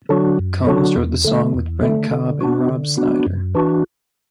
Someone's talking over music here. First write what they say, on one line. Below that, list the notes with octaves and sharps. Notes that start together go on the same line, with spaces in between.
Combs wrote the song with Brent Cobb and Rob Snyder.
D3 F#3 D4 F#4
F#2
D3 F#3 D4 F#4
E2
D3 A3
E2
D3 A3
D3
B3 D4 F#4
D3
B3 D4 F#4
F#2
E3 D4 F#4